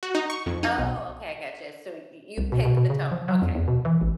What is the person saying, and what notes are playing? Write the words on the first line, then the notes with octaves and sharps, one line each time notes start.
Oh, okay, I got you. So, you you picked the tone. Okay.
F#4
D#4
C#6
F2
D#4
B1
C2
B2
B2
B2
C#3
F3
F#3
F2
E2
B2
E3
A1